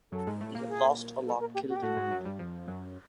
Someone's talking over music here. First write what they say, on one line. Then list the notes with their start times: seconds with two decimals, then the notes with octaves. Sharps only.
We have lost a lot killed and wounded.
0.12 F#2 F#3 A4
0.27 G#2 G#3
0.41 A2 A3
0.55 A#2 A#3
0.69 G#4
1.26 A4
1.40 A#4
1.54 G4
1.69 F#4
1.76 G4
1.82 A2 A3 F#4
1.97 G#2 G#3
2.11 F#2 F#3
2.25 G2 G3
2.39 F2 F3
2.68 F#2 F#3